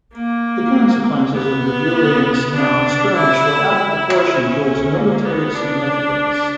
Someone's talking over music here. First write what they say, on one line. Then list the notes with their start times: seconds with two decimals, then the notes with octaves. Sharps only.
The consequences of the Julianstown skirmish were out of proportion to its military significance.
0.14 A#3
1.34 B3
2.55 D4
3.15 E4
3.75 E4
4.35 C#4
4.95 A#3
5.25 B3
5.55 D4